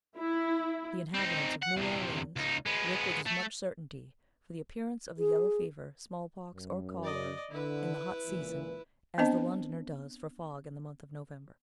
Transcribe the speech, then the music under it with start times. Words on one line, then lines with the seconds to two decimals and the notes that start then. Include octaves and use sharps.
The inhabitants of New Orleans look with as much certainty for the appearance of the yellow-fever, small-pox, or cholera, in the hot season, as the Londoner does for fog in the month of November.
0.18 E4
1.14 C4 D#4
1.62 F#5
1.77 E2 C3
2.36 C#2 D#4
2.66 G#3 B3
3.26 A3
5.19 G#4
6.54 F#2
7.03 D5 D#5
7.51 D3 E4 B4
8.27 C#2 A#2 E3
9.18 B3 C4 D4 C5 D#5 A5